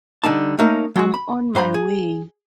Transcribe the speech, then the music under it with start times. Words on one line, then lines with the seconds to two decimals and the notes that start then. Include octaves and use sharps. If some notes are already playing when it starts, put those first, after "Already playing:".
I'm on my way.
0.24 D3 G3 D#4 A5
0.59 A3 A#3 C#4 D#4 A#4
0.96 F#3 F#4
1.14 B5
1.55 G2 C5 A#5 B5
1.74 G#4